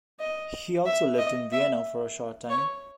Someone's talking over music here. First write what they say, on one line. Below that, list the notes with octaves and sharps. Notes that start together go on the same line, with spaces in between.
He also lived in Vienna for a short time.
D#5
E5
D#5
E5
C#5